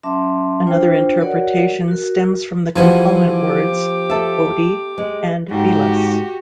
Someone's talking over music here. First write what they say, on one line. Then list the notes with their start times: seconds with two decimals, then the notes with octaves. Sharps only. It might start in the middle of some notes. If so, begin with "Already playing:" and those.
Another interpretation stems from the component words: "odi" and "velas".
0.03 F#3 C#4 E5 A5 C6 D6
0.67 D4 F4 C5 G5
1.20 F#4 A#4 C#5 D5 F#5
1.88 F#4 A#4
2.76 E3 F3 G3 F#4 G#5
3.36 G4 D6
4.10 A4 E5
4.98 G#3
5.51 G#2 F#4 G4